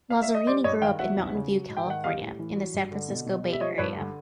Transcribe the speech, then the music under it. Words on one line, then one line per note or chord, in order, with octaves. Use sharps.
Lazzarini grew up in Mountain View, California in the San Francisco Bay Area.
F5
E5
D#5
G3 C5 D5
G2 C#5 D#5
D#3 F5 G5
F#3 E5 F#5
E2
C#3
F#3
G#2
G5
D#3 F#5
G3 D#5 F5
A2
E3
F#3
G2
D3
B2
B2
G3
E5
F3 C#5 D#5
G2 B4 C#5
D3